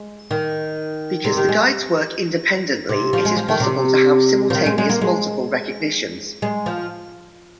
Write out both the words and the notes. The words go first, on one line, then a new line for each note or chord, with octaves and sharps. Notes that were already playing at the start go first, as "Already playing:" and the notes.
Because the guides work independently, it is possible to have simultaneous multiple recognitions.
Already playing: G#3
D#3
C3
D#3
G#3
C3
F3
G#3
F3
D#3
C3
F3
D#3
G#3
G#3
A#3
G#3
G#3
F3